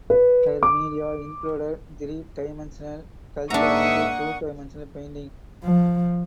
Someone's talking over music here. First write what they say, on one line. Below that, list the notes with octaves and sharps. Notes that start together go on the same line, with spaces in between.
Her media included three dimensional sculpture and two dimensional painting.
B4
D6
G#2 A#3 D4 E5 F#5 A#5 C#6 D#6
F3